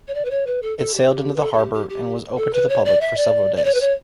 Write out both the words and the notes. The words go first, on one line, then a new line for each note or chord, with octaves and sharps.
It sailed into the harbour and was open to the public for several days.
C#5
D5
B4
C#5
B4
A4
A4
G4
B4
A4
A4
G4
G4
G4
A4
B4
C#5
D5
E5
D5
D5
C#5
B4
C#5